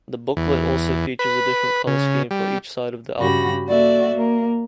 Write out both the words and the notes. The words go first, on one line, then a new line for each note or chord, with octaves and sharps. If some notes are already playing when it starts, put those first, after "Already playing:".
The booklet also features a different colour scheme for each "side" of the album.
E2
B4
C#3
G3
G2 C#3 F#4 G4 B5 A#6
A#3 F#4 A4 D5 E5
A#3 A#4